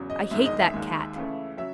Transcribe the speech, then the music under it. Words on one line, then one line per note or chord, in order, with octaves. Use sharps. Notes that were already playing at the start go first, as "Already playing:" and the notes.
I hate that Cat!
Already playing: E2 C#3 F#3
D#5
E1 E2 D#3 G#3 E5
D#5
E5
D#2 D#3 G#3
C#2 C#3 E3 A3
C#3 F#3 E5